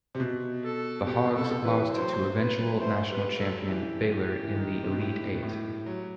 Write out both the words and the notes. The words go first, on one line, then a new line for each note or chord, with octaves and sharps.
The Hogs lost to eventual national champion Baylor in the Elite Eight.
C3
B2
A4
B2 G4
B2
C3 A4
E3 B4
F#3 C5
B4
A3 C5
G3 B4
F#3 A4
E3 G4
E3
D#3
C3
B2
A2
B2
A2
F#3